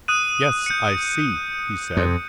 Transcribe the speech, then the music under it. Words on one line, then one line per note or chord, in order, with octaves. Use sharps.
"Yes, I see," he said.
D#6 F#6 D#7
G6 C#7
F2